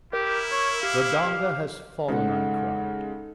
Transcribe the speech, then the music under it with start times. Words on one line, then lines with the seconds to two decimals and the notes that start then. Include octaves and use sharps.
"Zodanga has fallen," I cried.
0.13 E4 G4 A#4
0.52 C#5
0.83 G4 F5
2.08 C#3 G#3 D#4 A4 F#5